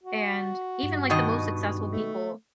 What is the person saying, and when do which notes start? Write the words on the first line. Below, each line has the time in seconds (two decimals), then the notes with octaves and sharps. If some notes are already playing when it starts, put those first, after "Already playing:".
and even like the most successful people,
0.03 F#4
0.83 G2
1.10 B2 D#3 D#5
1.92 A3